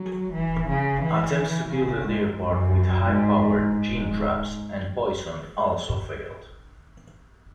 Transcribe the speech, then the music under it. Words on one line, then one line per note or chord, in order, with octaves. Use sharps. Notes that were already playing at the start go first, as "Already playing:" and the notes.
Attempts to kill the leopard with high powered gin traps and poison also failed.
Already playing: F#3
E3
C#3
E3
C#3
G#2
F#2
G#2
G#2